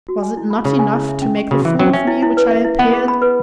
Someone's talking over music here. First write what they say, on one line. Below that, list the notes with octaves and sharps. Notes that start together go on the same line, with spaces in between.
Was it not enough to make the fool of me which I appeared?
F#4
G#5
E4
B5
C#3 C#5
G#5
E4
E5
C#4
C#6
C#3 F#4
E3 E5
F#3 C#4
C#4 E5
E4
E4
B4
E5
E4
B3 F#5
G#4
B5
B4